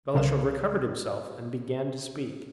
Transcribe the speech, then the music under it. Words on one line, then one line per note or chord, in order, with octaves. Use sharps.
Balashev recovered himself and began to speak.
C2 C#3 A#4 C5 F5 E7